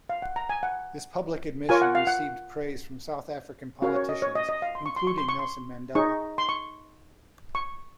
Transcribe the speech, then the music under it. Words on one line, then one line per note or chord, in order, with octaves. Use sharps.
This public admission received praise from South African politicians, including Nelson Mandela.
F5
F#5
A#5
G#5
F#5
F4 A#4 C#5 G#5
F#5
F5
F#5
C#4 F#4 A#4 C#5 F5
C#5
D#5
C#5
D#5
D#5
F5
C6
C#6
C6
C#6
C6
C#6
C6
D#4 G#4 C#5 C#6
C6
C#6
C#6